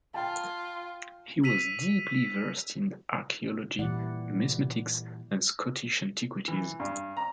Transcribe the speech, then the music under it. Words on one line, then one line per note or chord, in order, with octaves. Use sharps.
He was deeply versed in archeology, numismatics and Scottish antiquities.
F4 G5 A5
E6 B6 D#7 F7
A#2 E3 G3 E4 D5 F#5
E3
G2
A#5